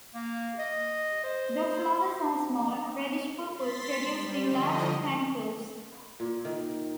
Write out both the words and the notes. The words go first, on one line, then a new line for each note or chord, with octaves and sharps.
The flowers are small, reddish-purple, produced in large panicles.
A#3
D#5
C5
C6 A6 B6
G3
D3 F3 D#5
A#2
D#3